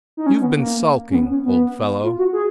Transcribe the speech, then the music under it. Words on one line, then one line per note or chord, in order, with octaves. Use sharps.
You've been sulking, old fellow.
D#4
C#4
B3
A#3
C#4
B3
C#4
B3
F4
F#4
G#4